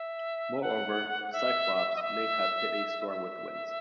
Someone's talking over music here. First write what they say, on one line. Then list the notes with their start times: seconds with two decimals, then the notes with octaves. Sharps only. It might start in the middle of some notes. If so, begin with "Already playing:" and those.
Moreover, "Cyclops" may have hit a storm with winds.
Already playing: E5
0.62 F#5
1.33 E5
1.96 D#5
2.02 E5
3.09 E5